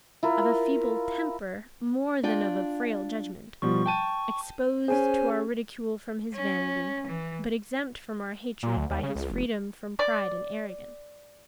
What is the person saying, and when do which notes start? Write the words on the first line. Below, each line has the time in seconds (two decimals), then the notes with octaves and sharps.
Of a feeble temper, more than of a frail judgment; exposed to our ridicule from his vanity; but exempt from our hatred by his freedom from pride and arrogance.
0.23 E4 F4 A#4
2.23 D4 F4 G5
3.62 B2 F3 G3 C#6
3.86 G5 A5 D#7
4.88 C#4 G#4 C5 G#5
6.33 C#4
7.07 E3
8.63 A#2
8.77 D2
8.90 D#2
9.03 C#3
9.15 C#2
9.31 F1
9.99 D5